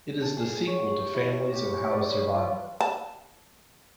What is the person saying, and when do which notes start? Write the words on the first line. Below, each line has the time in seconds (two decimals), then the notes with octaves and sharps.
It is the sequel to "Families and How to Survive Them".
0.22 A4
0.37 G#4
0.67 C#5
0.98 G4
1.14 E4
1.53 G4
1.71 C#6
1.91 D5
2.07 C#5
2.36 F4
2.81 A5